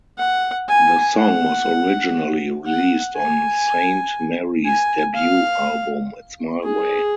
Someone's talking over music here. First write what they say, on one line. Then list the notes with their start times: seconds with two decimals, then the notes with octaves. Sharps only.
The song was originally released on Sainte-Marie's debut album It's My Way!
0.18 F#5
0.68 G#5
1.18 F#5
2.67 F#5
3.16 G#5
4.65 G#5
5.15 F5
6.64 G#4